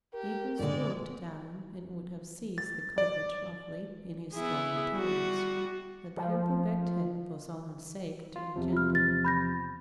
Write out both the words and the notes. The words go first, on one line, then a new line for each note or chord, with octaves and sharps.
The Eagle swooped down and would have seized the culprit roughly in his strong talons, but the Hoopoe begged him for Solomon's sake to be gentle.
G4 A#4
G2 A#2 D3 G#3 D5
A6
D5
B3 E4 G#4
G3 F#4
F3
F4
E2 C3 F3
F4 F6
A6
B5 G6 A#6